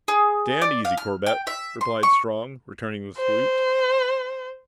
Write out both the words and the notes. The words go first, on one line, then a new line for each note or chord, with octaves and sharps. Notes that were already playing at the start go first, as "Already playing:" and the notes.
"Stand easy, Corbett," replied Strong, returning the salute.
G#4
D5
F5
F6
G5
E5
C6
C#6
C5